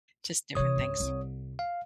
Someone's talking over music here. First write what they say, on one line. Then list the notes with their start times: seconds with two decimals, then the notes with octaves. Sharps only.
just different things.
0.55 C3 E3 C#5 D#6
0.76 C#2 G#2
1.00 C2
1.59 F5